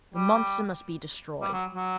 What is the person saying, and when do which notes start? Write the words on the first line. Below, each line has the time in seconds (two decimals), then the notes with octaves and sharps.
"The monster must be destroyed."
0.14 G3
1.42 G3
1.53 F#3
1.75 F#3